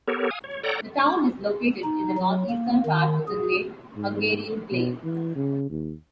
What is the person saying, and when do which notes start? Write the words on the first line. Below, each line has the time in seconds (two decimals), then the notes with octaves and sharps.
The town is located in the northeastern part of the Great Hungarian Plain.
0.08 B3 G4 A4 A#4 C#5
0.31 F5 G#5 D#6
0.44 C#5
0.63 A4 C#5 D5 F#5 G5 A#5
1.84 D#4
2.18 F#3
2.50 A#3
2.85 D#3
3.28 G#4
3.96 G#2
4.71 B2
5.04 E3
5.35 C#3
5.70 D#2